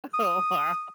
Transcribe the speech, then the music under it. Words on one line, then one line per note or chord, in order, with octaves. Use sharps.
Oh, wow.
D#6